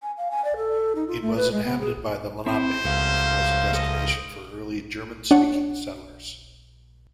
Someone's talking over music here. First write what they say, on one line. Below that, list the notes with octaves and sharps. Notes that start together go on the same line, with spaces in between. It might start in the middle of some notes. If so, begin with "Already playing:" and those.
It was inhabited by the Lenape and was a destination for early German-speaking settlers.
G#5
F5
G#5
D5
A4
D#4
F4
A3
B4
G#3
B3
G#4
C4 E4 C5
C#2 F#2 F3 A3 F5
A4 C5 D#5
D4 C#5 F#5